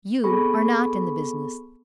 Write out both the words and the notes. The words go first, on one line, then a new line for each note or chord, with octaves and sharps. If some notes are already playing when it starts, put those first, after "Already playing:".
You are not in the business.
B3 C4 G#4 A4 B5 C#6